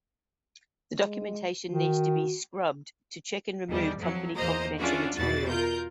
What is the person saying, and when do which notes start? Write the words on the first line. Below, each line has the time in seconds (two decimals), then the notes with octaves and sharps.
The documentation needs to be "scrubbed" to check and remove company confidential material.
1.00 G#3
1.71 D#3 F#4
3.68 E2 D#3 G3
3.98 F2 F3 F#3
4.36 E2 A#3 C5 D#5 A#5
4.80 E3 C#4 D4 F4 F#4 G#4
5.16 E2 B2 F#4 A6
5.49 F4 A#4 G6